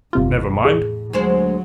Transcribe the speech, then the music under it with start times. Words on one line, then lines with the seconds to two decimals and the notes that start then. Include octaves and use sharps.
Never mind.
0.13 G1 E2 G#2 C3 F4
0.65 A2 G#4
1.13 D2 F#3 G#3 C5